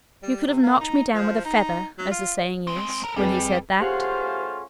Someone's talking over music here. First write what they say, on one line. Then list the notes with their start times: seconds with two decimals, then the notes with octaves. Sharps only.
You could have knocked me down with a feather, as the saying is, when he said that.
0.22 G3
0.47 C3
0.63 A#3
0.80 D#4
1.14 F3
1.45 D#4
1.98 F#3
2.11 F4
2.67 G#3 C4
3.04 A4 A#4
3.16 F2 G3 G#4 B4
3.81 A3 C#4 F4 G4 G#4 C5 F5 F#5